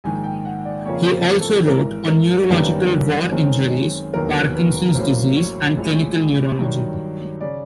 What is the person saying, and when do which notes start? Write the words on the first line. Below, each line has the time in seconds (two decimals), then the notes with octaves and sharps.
He also wrote on neurological war injuries, Parkinson's disease, and clinical neurology.
0.04 A#1 G#2 D#3 G#5
0.24 G5
0.45 F#5
0.65 D5
0.86 F2 C#3 F3 A#3 C#5
1.13 C5
1.40 A4
1.68 G#1 G#2 E3 A#4
2.08 A#4
2.50 G1 F#2 D#3 G3 A#3 B4
3.31 F#2 D#3 G#3 C4
4.13 E1 D#2 D#3 F#3 B3 A#4
4.54 B4
4.95 A1 A2 F#3 A#3 C5
5.36 C#5
5.77 A#1 A2 F3 G#3
6.59 G2 D#3 F#3
7.41 C#3 D5